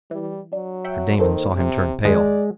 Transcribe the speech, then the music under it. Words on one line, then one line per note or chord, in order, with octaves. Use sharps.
Mr. Damon saw him turn pale.
E3 G3
F#3 D4
E5 F#5 G5
D#3 A#3 A4 C5
C3
E2 D#3 G#3 A#4 D5